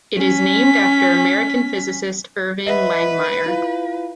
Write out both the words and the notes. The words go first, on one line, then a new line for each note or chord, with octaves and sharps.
It is named after American physicist Irving Langmuir.
C#4 B6
B4 D#5 E5 F#5
E4 F4 F5